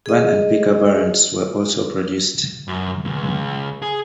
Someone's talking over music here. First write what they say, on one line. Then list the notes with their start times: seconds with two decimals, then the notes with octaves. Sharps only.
Van and pick-up variants were also produced.
0.06 G#4 D#5
2.68 F#2
3.05 C#2
3.82 G#4